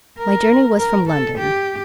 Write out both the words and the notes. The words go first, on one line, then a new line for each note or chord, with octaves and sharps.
My journey was from London.
A#4
A#4
A4
G4